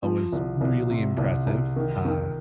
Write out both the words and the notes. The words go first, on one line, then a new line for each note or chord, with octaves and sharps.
oh, was really impressive. Uh,
F3
C2
C2
C3
C2
C2
D#3
D#3